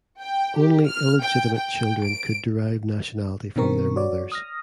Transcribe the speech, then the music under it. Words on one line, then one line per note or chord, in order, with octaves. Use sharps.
Only illegitimate children could derive nationality from their mothers.
G5
G4
F6
G5
G5
D7
B2 D#3 C4 A#4 C#6
F#4 C#5 D5
D#6 F6 A#6